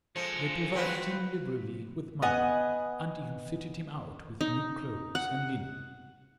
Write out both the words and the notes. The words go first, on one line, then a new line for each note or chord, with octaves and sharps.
They provided him liberally with money and even fitted him out with new clothes and linen.
F3 G#3 A4 C#7
C4 F4 F#4 B4
B3 D#5 F#5 G#5
D#4
F#5